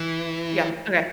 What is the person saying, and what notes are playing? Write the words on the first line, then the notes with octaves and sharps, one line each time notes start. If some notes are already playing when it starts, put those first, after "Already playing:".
Yeah, okay.
Already playing: E3